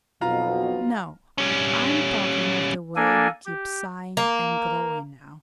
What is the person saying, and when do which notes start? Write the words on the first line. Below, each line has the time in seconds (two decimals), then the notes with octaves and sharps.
No, I'm talking of the way you keep sighing and groaning now.
0.21 B1 F2 B2 F4 F5 A#5
1.38 G3 C#4
2.96 A#3 D4 A4 G#5
3.45 G4
4.17 A#3